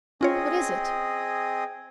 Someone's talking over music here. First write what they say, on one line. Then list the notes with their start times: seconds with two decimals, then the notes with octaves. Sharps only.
What is it?
0.21 C4 C#4 F4 G#4 C#5 D#5